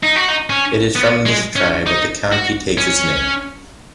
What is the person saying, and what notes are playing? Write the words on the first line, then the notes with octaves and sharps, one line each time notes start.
It is from this tribe that the county takes its name.
D#4
F#4
D#4
C#4
B3
G#3
C#4
D#4
F#4
C#4